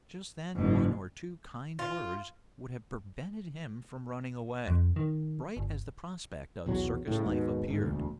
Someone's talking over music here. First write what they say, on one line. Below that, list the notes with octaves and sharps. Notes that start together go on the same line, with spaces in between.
Just then one or two kind words would have prevented him from running away, bright as the prospect of circus life appeared.
F#1 G#2
F4
F2
D#3
G1
B1 E2 F#3
A2 C#3
D#2 G#2 B2
G#1 G#2
E1 D2